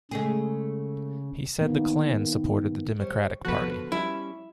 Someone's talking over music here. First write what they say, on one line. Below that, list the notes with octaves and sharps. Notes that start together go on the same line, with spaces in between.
He said the Klan supported the Democratic Party.
C#3 G#3 A3 G#4
D#3 A#3 B3
G3 C5 C#5
D3 F3 B3 F#4 B4
G3 C#4 E4